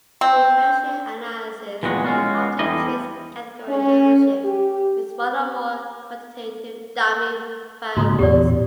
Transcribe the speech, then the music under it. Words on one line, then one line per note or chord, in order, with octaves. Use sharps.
Regression analysis often treats category membership with one or more quantitative dummy variables.
C4
E2 A#2 G3 G#3 F#4
G#3 C#4 F4 F#4
E2 G3 A3 E4 D5 D#5
C#4
G4
G#2 C#3 A#3 F#4 A#5 D#6
A1 E2 A#2 G4 D5